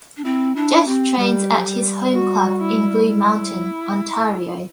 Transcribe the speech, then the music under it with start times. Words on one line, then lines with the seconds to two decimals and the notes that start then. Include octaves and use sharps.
Jeff trains at his home club in Blue Mountain, Ontario.
0.17 D4
0.24 C4 E4
0.56 D4 E4
0.87 C4 G4
1.19 G3 G4
1.57 F#3
1.66 G3
2.14 F#4
2.60 E4
3.08 E4